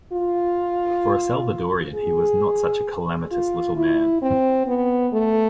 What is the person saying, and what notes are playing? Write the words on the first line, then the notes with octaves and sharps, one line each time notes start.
For a Salvadorian he was not such a calamitous little man.
F4
G#4
F4
E4
C4
B3
A3